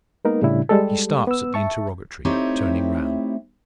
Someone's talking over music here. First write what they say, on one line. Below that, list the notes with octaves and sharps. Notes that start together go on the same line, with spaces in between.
He starts at the interrogatory, turning round.
G#3 A#3 B3 D#4 A#4
A2 C#3 G3 D4 E4
G3 G#3 G4 A4
B3 E6
E5 A5 C#6
A3 C4 D#4 E4 G4 C#5